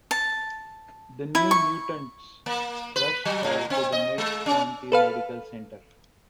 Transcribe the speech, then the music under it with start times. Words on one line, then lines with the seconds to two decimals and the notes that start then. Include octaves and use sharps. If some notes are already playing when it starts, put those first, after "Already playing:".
The New Mutants rushed her to the Mid-County Medical Center.
0.11 A5
1.35 E4
1.51 C#6
2.46 A#3
2.96 B4
3.25 F#3
3.44 A2
3.70 C4
3.92 D#5
4.18 G#3
4.46 C#4
4.92 A4 B4 F5